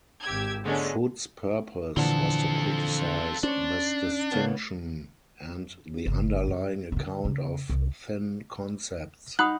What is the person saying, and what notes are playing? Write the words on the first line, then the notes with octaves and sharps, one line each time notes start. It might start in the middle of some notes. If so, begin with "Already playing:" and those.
Foot's purpose was to criticize this distinction and the underlying account of thin concepts.
G#1 G4 E6 G#6
D3 G#3 A3 B3 C#4
A#2 D3 E3 F3 C4 A4
C#4 D4 C5 C#5
C#3 A#3 B3
G1 C#3
F#2
D3 D#3
C#3
C2
D#4 F#5 B5 D#6 F#6